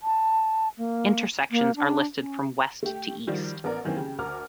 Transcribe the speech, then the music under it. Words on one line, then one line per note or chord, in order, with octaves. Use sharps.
Intersections are listed from west to east.
A5
A#3
A#3
D4
C#4
A3 G4
D#3 F3 G3 F#4
A1 B3 A#4 D5
F#2 D#3 E3 A#3 C4 C#4
C#3 G4
D2 A#4 A#5 D6 F6